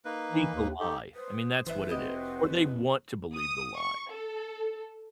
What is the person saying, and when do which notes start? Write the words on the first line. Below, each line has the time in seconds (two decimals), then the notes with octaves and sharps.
believe the lie. I mean, that's what it is. Or they want to believe the lie.
0.05 A#3 D#4 B4
0.31 E3
0.54 D#2
0.80 D#4 G4 A4
1.15 B4 C5 D#6
1.66 G1 E3 B4 C5 E5
1.89 F1 C4 E4 F#4 G4 C5 D#5
3.35 D#6
3.78 C#6
4.12 A4